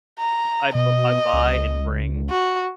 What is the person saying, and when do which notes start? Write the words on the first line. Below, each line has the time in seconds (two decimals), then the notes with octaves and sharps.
I b I buy and bring
0.19 A#5
0.75 B2 D#5
1.33 C#2
2.30 F#4